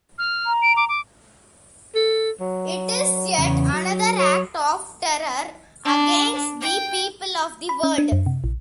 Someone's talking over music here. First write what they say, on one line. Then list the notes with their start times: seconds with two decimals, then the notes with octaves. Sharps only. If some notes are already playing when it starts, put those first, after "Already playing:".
It is yet another act of terror against the people of the world.
0.18 F6
0.46 A#5
0.62 D7
0.76 D6
0.89 D6
1.95 A4
2.40 F#3
3.38 E2 C#3
3.73 F#3
4.19 C#5
5.85 D4
6.61 G5
7.69 B5
7.83 C#4
7.98 D4
8.12 F#2
8.26 C3
8.44 A#1